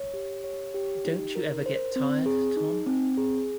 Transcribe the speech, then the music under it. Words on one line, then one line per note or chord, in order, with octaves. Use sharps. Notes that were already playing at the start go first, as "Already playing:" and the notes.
Don't you ever get tired, Tom?
Already playing: C#5
G4
C#5
G4
D#4
A#4
C5
C4
G#4
D#4
C4
G#4